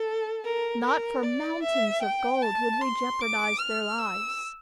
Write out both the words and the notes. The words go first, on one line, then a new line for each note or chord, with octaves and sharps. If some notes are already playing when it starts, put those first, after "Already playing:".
Not for mountains of gold would we jeopardize their lives.
Already playing: A4
A#4
A#4
D5
E5
G5
A5
C6
D6
F6
E6